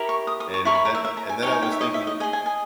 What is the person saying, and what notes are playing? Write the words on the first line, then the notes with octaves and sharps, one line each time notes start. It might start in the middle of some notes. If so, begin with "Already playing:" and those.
And then and then I was thinking and
Already playing: E4 G4 A#4
C#6
D#6
D#6
C#6
E4 A#4 C#5 C#6
B5
A#5
E5
E5
A#5
G#5
D#4 G#4 C#5 G5
G#5
G5
E5
D#5
E5
D#5
G#4 D#5 G#5
G#5
G#5